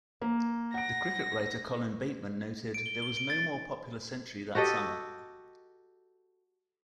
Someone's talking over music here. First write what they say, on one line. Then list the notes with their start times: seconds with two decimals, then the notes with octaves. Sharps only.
The cricket writer Colin Bateman noted, "there was no more popular century that summer".
0.22 A#3
0.74 F#5 A#6 D7
2.74 D7
2.86 G7
3.02 G7
3.17 D7
3.30 A6
4.55 F#4 G4 A4 D#5